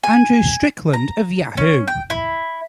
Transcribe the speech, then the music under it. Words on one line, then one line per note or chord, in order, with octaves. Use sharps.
Andrew Strickland of Yahoo!
G#5
A#5
C#4
G5
E4